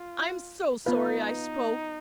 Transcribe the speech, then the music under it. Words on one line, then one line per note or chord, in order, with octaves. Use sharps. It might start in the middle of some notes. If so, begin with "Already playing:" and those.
I'm so sorry I spoke.
Already playing: F4
B3 D#4 F4 B4 F5